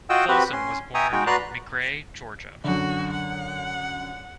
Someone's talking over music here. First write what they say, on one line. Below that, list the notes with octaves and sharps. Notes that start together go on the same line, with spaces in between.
Folsom was born in McRae, Georgia.
F4 F#4 D#5 F#5 G5 E6
C4 F#4 G4 B4
C#4 C6
E5 G5 G#5 A#5 C#6 D#6
G#3 D#4 F#4 G5
F#4 B4 D5 A#5 C6 F#6
F#2 D3 F#4
F#5